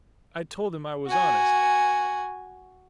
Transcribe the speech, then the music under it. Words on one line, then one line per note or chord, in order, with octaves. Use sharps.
I told him I was honest.
F#4 G#5